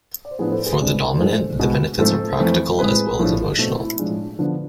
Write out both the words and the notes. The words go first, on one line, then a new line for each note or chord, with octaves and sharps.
For the dominant, the benefits are practical as well as emotional.
D5
C5
A2 F3 B3 D4 G#4 B4
A4 C5
G#4 B4
C3 G#3 D4 B4 D5
G#2 F3 G#3 D4 A4 C5
B2 G#3 B3
G#2 F3 A3 C4 A4 C5
F2 E3 A3 C4
A2 G#3 C4 G#4 B4
A2 F3 A3 D4
B2 A3 C4
E4
A2 F3 G#3 D4
D3 F3 B3 D4